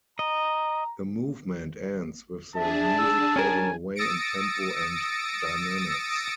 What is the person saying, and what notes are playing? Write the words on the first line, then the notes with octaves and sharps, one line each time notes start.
The movement ends with the music fading away in tempo and dynamics.
D#5 A#5
D4 G#4 E5 A5
E6
C#4 A#4 G#5
D#6 E6 A6 A#6 C#7 D7